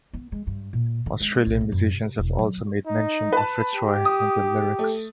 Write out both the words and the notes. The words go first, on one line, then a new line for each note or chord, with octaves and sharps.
Australian musicians have also made mention of Fitzroy in their lyrics.
B3
G#3
G2
A#2
D3
G#3
B1
A#3
F#2
C3
E1
F#3
D#4
B4 A5
G4
D#6
A3